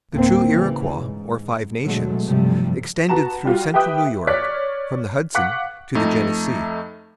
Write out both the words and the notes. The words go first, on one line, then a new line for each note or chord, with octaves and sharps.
The true Iroquois, or Five Nations, extended through Central New York, from the Hudson to the Genesee.
A1 D2 A#3 C4
C#3 E3
G#2
B2 D3 F#3 G#3 A3
G1 G2 C3 F3 G3 A3
B3 F#4 A5 A#5 E7
G3 F4 F#4
G4 B4 E5 G5 D#6 F#6
E5
C#5 D5 F6 F#6 B6
F5 F#5 C#6 D6 F#6 B6
F2 A3 D#4